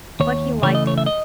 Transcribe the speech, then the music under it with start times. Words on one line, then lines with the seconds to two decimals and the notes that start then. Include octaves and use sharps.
But he liked it.
0.20 D#2 C#5
0.63 C#3 E3 A3 C#5
0.75 D#5
0.87 C#5
0.98 E5
1.06 D#5